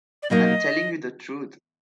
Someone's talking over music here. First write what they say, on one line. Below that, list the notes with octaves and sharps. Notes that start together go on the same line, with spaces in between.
I am telling you the truth.
D5
B2 F#3 A#3 D#4 D#5